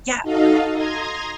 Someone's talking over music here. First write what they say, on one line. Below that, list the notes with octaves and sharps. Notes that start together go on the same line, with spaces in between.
yeah, go ahead.
D#4 F#4 A4 D#5 F5
A#5 C6 D#6 G#6 A#6